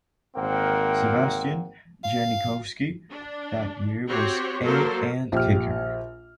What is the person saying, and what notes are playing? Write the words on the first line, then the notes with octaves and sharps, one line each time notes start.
Sebastian Janikowski that year was a and kicker.
G#1 A#3 C4 A#4 F#5 G5
F5
D4
C4 F#4 G4 C5 C#5
F#3 A#3 A4 A#4 C5
A#1 G4 F6